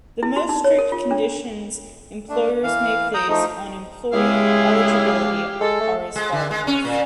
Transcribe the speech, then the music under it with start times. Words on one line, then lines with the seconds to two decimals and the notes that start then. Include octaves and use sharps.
The most strict conditions employers may place on employee eligibility are as follows.
0.23 E4
0.36 F#4
0.49 D#4
0.64 C#5
0.79 A#4
0.92 F4
1.11 D4
2.29 A3 D4
2.63 E3 F5
3.14 A#5 D#6 G6
3.29 F3 A3 D#4
4.13 C#3 G#3 E4 G4 G#4 F5
5.61 G#3 A4
5.81 A3
6.16 G#3
6.32 D3
6.51 G#3
6.67 C#4
6.85 A#2